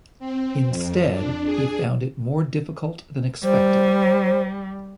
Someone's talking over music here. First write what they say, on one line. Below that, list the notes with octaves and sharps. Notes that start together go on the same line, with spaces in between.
Instead, he found it more difficult than expected.
C4
F2
D4
G#4
G3 C5